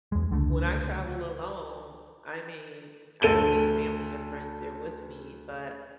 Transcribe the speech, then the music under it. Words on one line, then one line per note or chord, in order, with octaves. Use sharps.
when I travel alone, I mean, I don't need family or friends there with me. But
E2 G#3
C#2 D3 E3 A3
D2 A4 D#7 G7